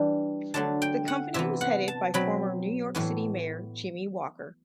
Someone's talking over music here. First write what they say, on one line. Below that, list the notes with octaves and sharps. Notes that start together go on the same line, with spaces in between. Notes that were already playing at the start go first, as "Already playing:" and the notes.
The company was headed by former New York City mayor Jimmy Walker.
Already playing: E3 G3 D4
D3 F#3 A3 A5
G5
F#5
C3 E3 B3 E5
F#5
A5
B2 F#3 C4 B5
A2 E3 B3